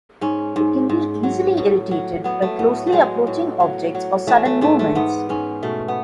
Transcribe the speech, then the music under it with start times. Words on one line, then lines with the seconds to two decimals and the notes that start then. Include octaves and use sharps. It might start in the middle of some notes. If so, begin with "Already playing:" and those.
It can be easily irritated by closely approaching objects or sudden movements.
0.21 G#2 C#4
0.56 G#2
0.89 G#2
1.23 F#3
1.57 A2
1.91 F#3
2.24 F#3 B3
2.42 A3
2.59 A2 B3
2.87 A3
2.92 F#3 G#3
3.27 A2
3.60 F#3
3.95 F#3
4.27 E3 A3
4.45 A3
4.61 G#2 A3
4.79 A3
4.95 G#2 B3
5.29 G#2 C#4
5.63 B2 A3
5.88 B3